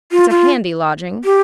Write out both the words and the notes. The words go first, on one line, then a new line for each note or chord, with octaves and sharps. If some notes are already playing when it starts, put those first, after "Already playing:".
It's a handy lodging.
F4
F4
G4